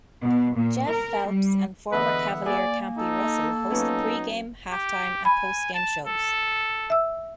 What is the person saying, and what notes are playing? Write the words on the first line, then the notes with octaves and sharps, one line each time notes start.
Jeff Phelps and former Cavalier Campy Russell host the pregame, halftime, and postgame shows.
B2
A#2
A#4
G3
E2 D3 B3 B4 D#5 E5 F#5
A#3 G#4 D5
D#4 A4
F#3 B3 C#4 D#4
G4
G#5 B5
A5
A4
E5 E6